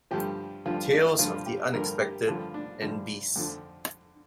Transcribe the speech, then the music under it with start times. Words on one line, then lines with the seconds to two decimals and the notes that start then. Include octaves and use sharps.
"Tales of the Unexpected" and "Beasts".
0.11 G2 D3 F3 G4
0.65 G2 D3 F3 F4
0.93 D4
1.19 G2 D3 F3 F4
1.46 G4
1.73 G2 D3 F3 A#4
2.01 G4
2.27 G2 D3 F3 F4
2.54 D4
2.82 G2 D3 F3
3.36 F2 D3 F3